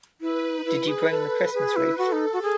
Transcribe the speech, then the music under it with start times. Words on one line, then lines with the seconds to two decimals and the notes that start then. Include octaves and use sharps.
Did you bring the Christmas wreath?
0.21 E4 B4
0.58 D#4
0.65 E4
0.88 G#4
1.10 A4 B4
1.54 G#4
1.76 E4
1.98 F#4 A4
2.12 D#4
2.33 F#4
2.42 G#4